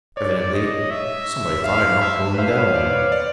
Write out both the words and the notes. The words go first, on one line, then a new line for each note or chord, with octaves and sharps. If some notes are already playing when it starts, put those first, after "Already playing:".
Evidently somebody thought I'd knocked Rooum down.
C#5 D5
D#5
C#5 E5
F5
E5
B4
C5 F5
C#5
D5
C#5
D5